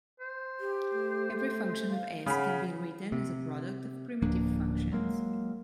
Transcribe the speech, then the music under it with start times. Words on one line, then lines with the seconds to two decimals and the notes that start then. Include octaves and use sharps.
Every function of "S" can be written as a product of primitive functions.
0.20 C5
0.60 G4
0.94 A3
1.90 F5
2.26 C#3 F5 F#5 B5
3.12 C3
4.22 D1 F3 A#3 D4
4.92 F#3 G#3 A#3